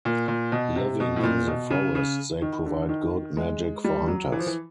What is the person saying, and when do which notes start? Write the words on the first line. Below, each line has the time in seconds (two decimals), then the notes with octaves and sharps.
Living in the forest, they provide good magic for hunters.
0.05 A#2
0.28 A#2
0.52 B2
0.76 C3
1.00 B2
1.16 A2
1.23 A#2
1.47 B2
1.70 C#3
1.95 C#3
2.42 D#3
2.66 D3
2.89 D#3
3.37 G#3
3.84 G3
4.08 F#3
4.32 E3
4.39 F3
4.47 E3